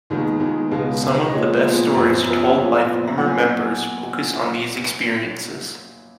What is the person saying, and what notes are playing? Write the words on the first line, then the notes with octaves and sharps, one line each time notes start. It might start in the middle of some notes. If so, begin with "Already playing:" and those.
Some of the best stories told by former members focus on these experiences.
D#2 D#3 G#3 B3
D#2 D#3 G#3 B3
C#2 B2 G#3 B3 F5
C#2 B2 G#3 B3
D#5
A#2 F3 G#3 B3 C#5
A#2 F3 G#3 B3
F#2 F3 B3
F#2 F3 B3 A#4
B4
A#2 F3 B3 C#5
A#2 F3 B3
A#2 F#3 B3 F#5
G#5